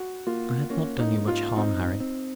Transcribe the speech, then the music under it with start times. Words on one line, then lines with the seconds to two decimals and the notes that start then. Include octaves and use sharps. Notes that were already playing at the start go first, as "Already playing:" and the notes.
I had not done you much harm, Harry.
Already playing: F#4
0.27 A#3 F4
0.70 A#3 C#4
0.99 D#4
1.14 G#2
1.28 F4
1.57 C4 D#4
2.00 C4